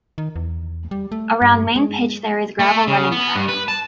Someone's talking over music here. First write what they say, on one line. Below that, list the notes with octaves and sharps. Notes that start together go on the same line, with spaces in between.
Around main pitch there is gravel running track.
D#3
E2
G3
A3
G2
G#3
A3
C#3
B3
G2
B4
A5